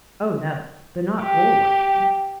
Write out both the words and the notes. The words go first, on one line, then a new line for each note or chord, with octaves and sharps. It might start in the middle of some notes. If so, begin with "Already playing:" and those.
"Oh no; they're not all like him."
G4